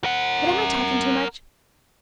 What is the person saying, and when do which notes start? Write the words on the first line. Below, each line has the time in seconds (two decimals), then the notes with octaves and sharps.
But am I talking too much?
0.04 A#4 F#5